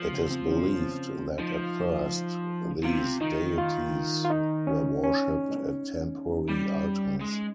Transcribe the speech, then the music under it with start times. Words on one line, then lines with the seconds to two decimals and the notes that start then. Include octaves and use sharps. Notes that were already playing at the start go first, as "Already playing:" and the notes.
It is believed that, at first, these deities were worshiped at temporary altars.
Already playing: F3
0.12 C#3
0.30 C4
0.47 C#4
1.38 F3 D#4
2.84 C3 F4
3.21 D#3 D#4
3.58 F4
4.25 F4
4.30 D#4
4.67 C#4
5.04 C#4
6.49 G3
7.21 G#3